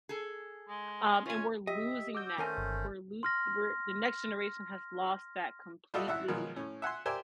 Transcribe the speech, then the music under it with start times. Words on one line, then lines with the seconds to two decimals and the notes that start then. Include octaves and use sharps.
um, and we're losing that. We're lo we're the next generation has lost that completely,
0.09 G#4 A4
0.69 G#3
1.26 C#4 F4 G#5
1.67 G4 D#5 E5
2.15 F#4 D6 E6 G6
2.38 D#2 A3 C#4 A#4 C5 G#5
2.58 G1
3.23 C6 F6 A#6
5.94 G3 F4 F#4 A4 D#5 E5
6.07 G#1 E4 E5 F#5
6.28 B2 D#3 F3 F#3 G#3
6.56 A2 C#4
6.82 E5 F#5 G#5 C6
7.05 G4 A#4 C5 D5 E5 G#5